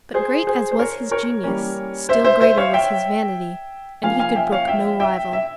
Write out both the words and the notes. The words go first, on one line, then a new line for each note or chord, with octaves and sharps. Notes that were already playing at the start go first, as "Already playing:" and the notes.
But great as was his genius, still greater was his vanity, and he could brook no rival.
G#4 C5
G#4 C5
C5
A#4 C#5
A#4 C#5
E3 G3 A#3 C#4
C5 E5
C5 E5
C5 E5
C#5 F5
E5 G5
F3 A#3 C#4 F5 G#5
F5 G#5
E5 G5
C#5 F5
E5 G5
E5 G5
E5